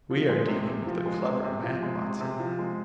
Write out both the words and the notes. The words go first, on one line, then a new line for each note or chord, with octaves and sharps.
We are dealing with a clever man, Watson.
F3
G#3
C3
C3
F3
G#3
C3
C3
F3
G#3
C3
C3
F3
G#3